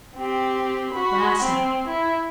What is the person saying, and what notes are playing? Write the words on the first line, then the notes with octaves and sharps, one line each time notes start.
'Last night.
C4 G4
F#4 B5
C4
E4